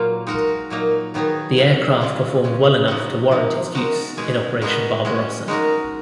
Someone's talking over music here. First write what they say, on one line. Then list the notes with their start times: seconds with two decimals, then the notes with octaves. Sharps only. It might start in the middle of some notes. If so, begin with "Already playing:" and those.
The aircraft performed well enough to warrant its use in Operation Barbarossa.
Already playing: A#2 F#3 A#3 F4
0.27 G#3 D#4 F#4 A#4
0.70 A#2 F#3 A#3 D#4
1.14 D#3 F#3 B3 D#4 G#4
1.57 A#2 F#3 C#4
2.01 C#3 G#3 C#4 F4
2.44 C#3 G#3 C#4
2.88 F3 B3 D#4 F#4
3.31 F3 A#3 D#4
3.75 G#3 D#4 F#4 A#4
4.17 B2 G#3 C#4 G#4
4.62 B2 G#3 B3 F#4 A#4
5.05 G#3 C#4 F#4
5.48 G#3 D#4 F#4 A#4